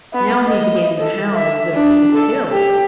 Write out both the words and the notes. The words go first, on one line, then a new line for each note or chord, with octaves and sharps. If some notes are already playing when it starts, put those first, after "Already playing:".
Now he began to howl as if being killed.
B3
D#5
A4
E5
D4
A4
G4